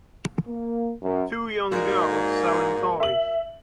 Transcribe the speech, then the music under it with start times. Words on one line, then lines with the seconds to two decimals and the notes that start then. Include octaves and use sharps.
Two young girls selling toys.
0.47 A#3
1.03 F#2
1.72 G#2 A#3 F#4 A#4 D5
3.00 E5 F#7